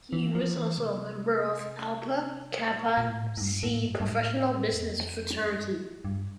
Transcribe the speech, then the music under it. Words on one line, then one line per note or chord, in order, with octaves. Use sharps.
He was also a member of Alpha Kappa Psi Professional Business Fraternity.
E3
F3
E3
C3
A2
A#2
A#2
A2
A2
G2
A2
G2
G2
A2
F2
E2
F2
G2
F2
G2
G2